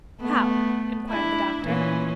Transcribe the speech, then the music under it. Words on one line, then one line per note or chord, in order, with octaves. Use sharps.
'How?' inquired the doctor.
A3 B3
D4 E4
A#2 E3 C#4